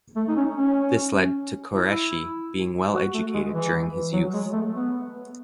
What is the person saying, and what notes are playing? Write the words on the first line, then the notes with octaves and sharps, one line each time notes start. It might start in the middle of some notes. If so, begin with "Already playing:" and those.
This led to Qureshi being well educated during his youth.
A3
D#4
C#4
C#4
E4
F#4
A3
G#3
E3
F#3
G#3
A3
B3